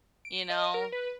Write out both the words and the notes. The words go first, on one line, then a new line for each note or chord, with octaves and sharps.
you know?
D7
D#5
A#4
B4